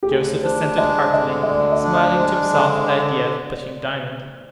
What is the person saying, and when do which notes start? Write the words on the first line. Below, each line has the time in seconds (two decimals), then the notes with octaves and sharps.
Joseph assented heartily, smiling to himself at the idea of pushing Diamond.
0.03 G4
0.07 D2 G#4
0.43 D4 C5
0.78 G#3 D#5
1.13 D3 D#5
1.43 D#5
1.48 D2 D5
1.72 D#5
1.83 D4
1.96 D#5
2.15 C5
2.18 G#3 D5
2.54 D3